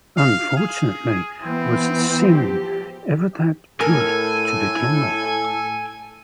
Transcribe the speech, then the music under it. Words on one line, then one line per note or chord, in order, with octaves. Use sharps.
Unfortunately, was "Sin" ever that good to begin with?
F5
G#4
E3 B3 C4
F3 G4
A2 A4 A#4 G#5